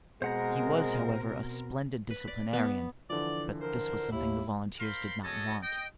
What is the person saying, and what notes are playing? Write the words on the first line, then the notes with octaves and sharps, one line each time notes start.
He was, however, a splendid disciplinarian, but this was something the volunteers did not want.
B2 G#3 C4 A#4 C5 F#5 A#5
B4
D5
B3
D3 E3 F3 D5
A#4 C5
D#2 E4
A#4 C5 F5 B5 C6
F#4 G#4 A4 C#5 D#5 A5
D#5 G5